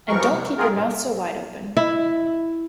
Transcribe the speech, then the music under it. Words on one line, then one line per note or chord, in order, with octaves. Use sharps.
And don’t keep your mouth so wide open!
F#2 E3 F3 G3 A#4 C#6
C3
B3 C4 F4 G#4 A#4
A2
E4